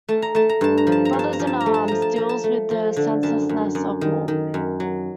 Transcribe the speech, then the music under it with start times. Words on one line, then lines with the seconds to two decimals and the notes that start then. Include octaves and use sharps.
"Brothers in Arms" deals with the senselessness of war.
0.08 A3 A5
0.22 A#5
0.35 A3 A5
0.49 A#5
0.61 G2 A5
0.78 A#5
0.87 F3
0.92 A5
1.05 A#5
1.13 G2
1.19 A5
1.33 A#5
1.40 F3
1.47 A5
1.60 A#5
1.66 A3
1.74 A5
1.88 F3 A#5
2.02 A5
2.16 F3 A#5
2.29 A5
2.44 A3
2.71 F3
2.96 D3
3.23 F#2 A5
3.49 F#2
3.75 F#2
4.01 D#3
4.28 D#3
4.54 F#2
4.80 F#3